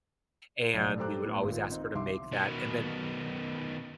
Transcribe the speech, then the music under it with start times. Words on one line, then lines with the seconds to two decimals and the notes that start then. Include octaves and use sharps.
and we would always ask her to make that, and then
0.74 B1 A2 D5
0.98 G4 A4 C5 A#5 D6 F#6
1.26 A2 B3
1.43 G#1 A#2
1.70 C4 D#4
1.95 C2 E5 C6 D6
2.32 B2 D#3